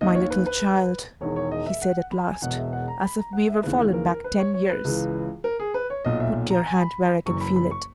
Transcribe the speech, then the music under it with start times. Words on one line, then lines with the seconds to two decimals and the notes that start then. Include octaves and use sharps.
"My little child," he said at last, as if we were fallen back ten years, "put your hand where I can feel it."
0.01 D#2 D#3 D#5
0.15 C#5
0.30 B4
0.46 B4
1.21 E1 E2 D#3 C#5
1.36 C#5
1.51 D#5
1.66 E5
1.82 F#5
2.12 B5
2.27 G#5
2.42 E1 E2 B2 F#5
2.57 E5
2.73 F#5
2.88 A#5
3.03 B5
3.18 A#5
3.33 F#5
3.48 E5
3.63 D#2 C#3 E3 B4
3.93 A#4
4.08 A#4
4.24 B4
4.39 C#5
4.54 C#5
4.69 B4
4.84 C#2 C#3 E3
5.44 A#4
5.60 G#4
5.74 B4
5.90 C#5
6.05 B1 A#2 D#5
6.20 E5
6.50 A#5
6.66 G#5
6.81 B5
7.26 F#1 F#2 E3 C#6
7.41 B5
7.56 B5
7.71 C#6